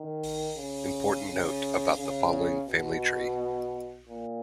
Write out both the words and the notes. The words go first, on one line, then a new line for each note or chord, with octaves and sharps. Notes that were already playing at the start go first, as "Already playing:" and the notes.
Important note about the following family tree.
Already playing: D#3
C#3
C#3
C#3
B2
A#2